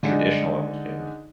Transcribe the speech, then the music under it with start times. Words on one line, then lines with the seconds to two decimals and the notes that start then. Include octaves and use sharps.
traditional, almost, yeah.
0.03 D3 G#3 D4 D#4 G#4